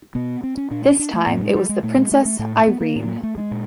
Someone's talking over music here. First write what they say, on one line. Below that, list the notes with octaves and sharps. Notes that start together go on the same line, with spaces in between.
This time it was the "Princess Irene".
B2 B3
C4
C#4
A#2 D4
C#4
D4
A3
A2 A#3
G#3
G3
G#3
A#2 A3
G#3
A3
A3
A2 A3
B3
A#3
A2
A3
G#3
A#2